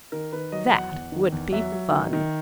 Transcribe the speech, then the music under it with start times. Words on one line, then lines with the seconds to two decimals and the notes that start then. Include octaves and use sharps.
That would be fun!
0.12 D#3 A#4
0.32 D#3 B4
0.52 F#3 D#5
0.72 E2 F#5
0.92 E2
1.12 D#3
1.32 E2
1.52 F#3 E5
1.72 F#3
1.92 D#3
2.13 D#3